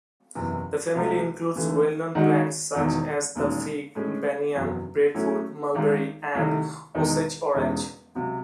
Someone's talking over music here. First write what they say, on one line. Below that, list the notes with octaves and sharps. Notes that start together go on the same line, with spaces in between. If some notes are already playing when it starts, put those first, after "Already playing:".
The family includes well-known plants such as the fig, banyan, breadfruit, mulberry, and Osage-orange.
F#1 E2 C3 E3
C#2 C3 F#3 A3
D#2 C#3 E3 A3
G#2 D#3 G#3 D#4 F#4
E1 E2 D#3
E1 D#2 C#3
A2 G#3 C#4
F#1 E2 C3 F#3 C4
A2 F#3 A3 C#4 E4
G#1 G#2 D#3 G#3
C2 C3 D#3 A3
E1 E2 D#3 G#3 D#4
E1 E2 C#3 G#3 D#4
C#2 C3 F#3 C4